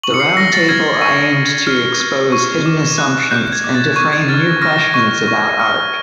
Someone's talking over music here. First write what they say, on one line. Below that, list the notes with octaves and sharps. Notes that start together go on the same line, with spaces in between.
The roundtable aimed to expose "hidden assumptions" and to frame new questions about art.
C#6 F#7
C#7
C7
F6 A#6
A6
F6 G#6
C#6
C#6
F6
F6
C#6
D6
F#6
F#6 G6
G#6
D6
A6
C#6 G#6
G#6
F6 A6
A#6
F6 A#6
C#6
C#6
F6